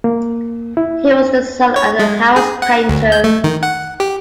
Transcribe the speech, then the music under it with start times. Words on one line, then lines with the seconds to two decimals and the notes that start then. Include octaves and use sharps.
He was the son of a house painter.
0.04 A#3
0.77 E4
1.11 C5
1.76 C#5
1.99 G#3
2.36 G#4
2.62 F#5
2.89 D2
3.12 G6
3.24 A3
3.44 D#3
3.63 F#5
4.00 G4